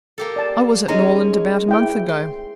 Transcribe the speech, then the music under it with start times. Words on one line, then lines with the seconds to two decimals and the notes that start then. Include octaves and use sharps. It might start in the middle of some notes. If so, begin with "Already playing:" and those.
"I was at Norland about a month ago."
0.18 A#3 G4 A4
0.36 D5 A5
0.88 G#3 C#4 D#4 A#5
1.68 E4 G5
2.09 C6